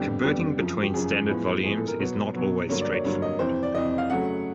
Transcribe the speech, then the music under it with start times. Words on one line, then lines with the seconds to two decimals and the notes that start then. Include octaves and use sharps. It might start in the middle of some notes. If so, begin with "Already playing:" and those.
Converting between standard volumes is not always straightforward.
Already playing: F2 D3 G3 B3 G4
0.24 F2 D3 G3 B3
0.59 F#2 C#3 F3
0.83 G4
0.94 F#2 C#3 F3 G#4
1.29 A2 F3 G#3 B3
1.64 A2 F3 G#3 B3 G#4
1.76 A4
1.88 A#4
1.99 B2 F#3 B3
2.34 B2 F#3 B3
2.69 G2 D3 F#3 A#3 C#5
2.81 D5
2.93 C#5
3.05 G2 D3 F#3 A#3
3.22 D#5
3.39 F2 C3 E3 C5
3.63 D5
3.74 F2 C3 E3 D#5
3.98 F5
4.10 C#3 F#3 A3 F#5